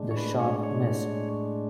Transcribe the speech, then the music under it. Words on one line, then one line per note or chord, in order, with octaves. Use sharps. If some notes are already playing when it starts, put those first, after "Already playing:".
The shot missed.
Already playing: A2 G#3 D4
C#5
B4
C#5
C#5